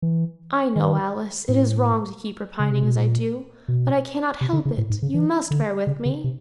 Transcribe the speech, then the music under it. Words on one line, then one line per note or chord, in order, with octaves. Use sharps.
'I know, Alice, it is wrong to keep repining as I do, but I cannot help it: you must bear with me.'
E3
D#3
A2
C#3
C3
B2
A#2
B2
C3
D3
C#3
A2
G#2
C#3
E3
D3
C#3
C#3
C3